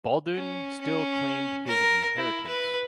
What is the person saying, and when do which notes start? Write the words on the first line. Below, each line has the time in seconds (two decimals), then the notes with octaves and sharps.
Baldwin still claimed his inheritance.
0.35 C#4
0.81 C#4
1.67 A#4
2.17 E4
2.47 B4